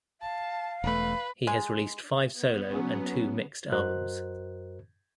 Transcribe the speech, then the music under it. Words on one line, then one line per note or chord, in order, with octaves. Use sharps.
He has released five solo and two mixed albums.
F5 A5
E1 A3 B4
G#3
B3
F#3 C#4
F#2 F#4 A#4 C5 D#5 F#6